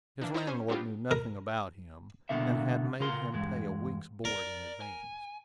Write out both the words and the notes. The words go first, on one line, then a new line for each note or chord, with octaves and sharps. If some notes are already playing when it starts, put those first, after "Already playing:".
His landlord knew nothing about him, and had made him pay a week's board in advance.
E3 A#3 D4
D#4 E4 C5 A#5 D#7
C#4 C5 G#5
G3 B3 C4 D4 F4 G4
A#4
C2 B2 D3 A#3 E5
C#3 F4 A#4 C6
E2 G2 G#3
A#4 D5
G#5